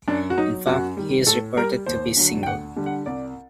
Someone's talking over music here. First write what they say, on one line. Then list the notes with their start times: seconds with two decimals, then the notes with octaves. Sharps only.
In fact, he is reported to be single.
0.08 F#2 D4
0.30 F#4
0.37 F#3 D#4
0.67 F#2 F#4
0.97 D#3 G3
1.26 A2 A4
1.57 G3 A#4
1.86 D#2 C5
2.17 D3 F#3
2.43 G5
2.46 D2 F#5
2.76 D3 G3
2.86 F#5
3.06 C2 D5